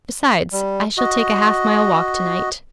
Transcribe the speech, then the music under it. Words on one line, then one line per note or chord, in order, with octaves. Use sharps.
Besides, I shall take a half-mile walk to-night.'
G3
F#4 D#5